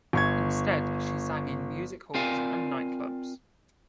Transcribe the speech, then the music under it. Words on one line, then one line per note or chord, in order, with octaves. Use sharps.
Instead, she sang in music halls and nightclubs.
G1 C#6 G#6
C4 F4 A#4 D5 F5 G#5